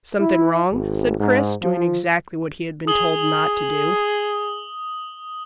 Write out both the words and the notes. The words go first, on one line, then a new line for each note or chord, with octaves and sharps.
"Something wrong?" said Chris, doing exactly what he had been told not to do.
E4
G#1
G#2
F3
G#4 D#6 F#7 G7